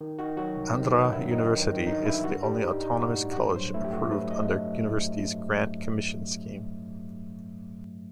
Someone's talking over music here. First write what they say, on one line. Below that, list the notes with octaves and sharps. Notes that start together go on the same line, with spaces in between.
Andhra University is the only autonomous college approved under "Universities Grant Commission" scheme.
D#3
D#3 F#4
F#3 F#4
C2
D#3
F#3
D#4
G2 E4
D#3 D#4
G2
D#3
G1 D#4
G2 E4
G3 F#4
G3
D#4
D#4
F#4
A2
F#4
G2 G4
F#3 C5
A3 E4
G4
A3 F#4
F#3 B4
D#5